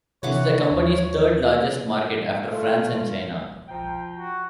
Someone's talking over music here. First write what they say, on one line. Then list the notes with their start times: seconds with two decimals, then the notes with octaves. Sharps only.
It's the company's third largest market, after France and China.
0.23 C3 E3 C#5 F#5 D6
0.71 D#2
2.46 A3 F4
3.68 F3 G5 A#5
4.17 F#4